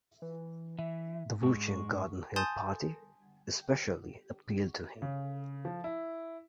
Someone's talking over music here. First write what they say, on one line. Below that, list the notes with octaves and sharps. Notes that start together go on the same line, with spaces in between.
The Wuchang Garden Hill Party especially appealed to him.
E3
E3 E5
G#2 G#3 C#6
G#5 A5 C6 D#6 G6 A6
C#3
F3
E4